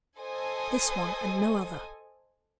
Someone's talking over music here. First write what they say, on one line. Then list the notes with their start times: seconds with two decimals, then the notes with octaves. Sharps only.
This one and no other.'
0.18 A4 C5 D#5 G#5 D#6